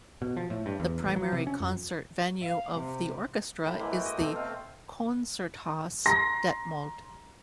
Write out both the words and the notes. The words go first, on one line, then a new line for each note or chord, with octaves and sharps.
The primary concert venue of the orchestra is the Konzerthaus Detmold.
B2
F3
A2
G2
E2
A1
F#3
C3
C#4
F2
F5
C3
A2 C5 B5
E3 G#3 A#3
F#4 G5
D#5
B2 A3 C4
F5
A#5 C6 A#6